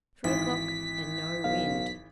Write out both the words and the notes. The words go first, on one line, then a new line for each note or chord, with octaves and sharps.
Three o'clock and no wind.
G#1 E3 B6
B1 F5